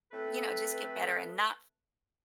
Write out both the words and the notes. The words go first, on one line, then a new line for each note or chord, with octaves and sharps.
you know, just get better, and not f
A3 C4 A4 B4